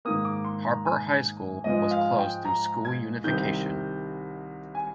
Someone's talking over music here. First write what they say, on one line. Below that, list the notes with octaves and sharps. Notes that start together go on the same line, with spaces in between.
Harper High School was closed through school unification.
G#2 D#3 A#3 D#6
D6
C6
A#5
G#5
G#2 F3 G#3 D#5
F5
G5
A#5
G#6
C2 C3 D#3 G6
G#5